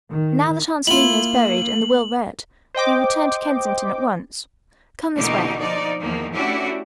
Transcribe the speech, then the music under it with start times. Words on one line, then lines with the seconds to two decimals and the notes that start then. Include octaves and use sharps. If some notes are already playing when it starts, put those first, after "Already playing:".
Now that Aunt Selina is buried and the will read, we return to Kensington at once. Come this way.
0.11 D#3
0.87 A#3 E4 F4 F#7
2.75 C5 D#5 G5 D6
5.15 B2 D3 E3 A#3 D#4 G4
5.59 F3 D#4 D5
5.99 E2 D#3 F3 A#3
6.33 A3 C#4 D4 E4 F#4 G4